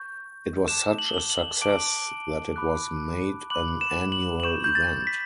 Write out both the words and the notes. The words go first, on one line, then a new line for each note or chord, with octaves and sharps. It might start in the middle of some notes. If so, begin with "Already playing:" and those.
It was such a success that it was made an annual event.
Already playing: C#6 G6
A5 D6 F#6 E7
F#7
G7
F#7
F#7
A5 D6 F#6 D7
B5 D6 F#6
B5 D6 F#6 F#7
E7
F#7
F#7
C#6 G6 E7
G6
A6
B6